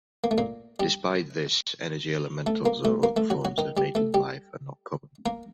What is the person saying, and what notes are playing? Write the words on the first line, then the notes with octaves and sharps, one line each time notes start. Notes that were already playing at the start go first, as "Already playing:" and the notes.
Despite this, energy elementals or other forms of native life are not common.
A#3
A3
A#2 A#3
G3 G4
A3 A4
A#3 A#4
A3 A4
A#3 A#4
A3 A4
F#3 F#4
F#3 F#4
D#3 D#4
G3 G4
A3 A4
G3 G4
A#3 A#4